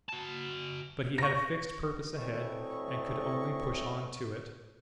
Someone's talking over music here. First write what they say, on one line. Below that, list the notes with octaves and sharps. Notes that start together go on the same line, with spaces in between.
But he had a fixed purpose ahead and could only push on to it.
F#4 A5
C#6 A#6
D2 A2 E3 C4 D#5 C#6